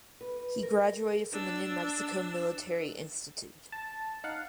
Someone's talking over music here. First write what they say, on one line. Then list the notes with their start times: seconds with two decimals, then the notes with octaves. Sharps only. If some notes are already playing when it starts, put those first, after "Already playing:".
He graduated from the New Mexico Military Institute.
0.21 B4
0.63 A#4
1.33 D4 E6
3.72 A5
4.24 D#4 F5 F#5